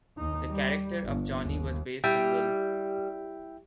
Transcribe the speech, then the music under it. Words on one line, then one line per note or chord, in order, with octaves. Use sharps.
The character of Johnny was based on Will.
D#2 D#4
G3
G1
D#2
G3 E4 E5 G5